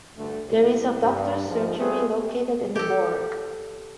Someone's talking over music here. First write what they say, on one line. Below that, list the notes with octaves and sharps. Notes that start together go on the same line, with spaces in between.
There is a doctors surgery located in the Borg.
D2 G2 D3 A3
C2
G2
G#2 F3
G3 A3 A#3 C4 G#4
G4 A4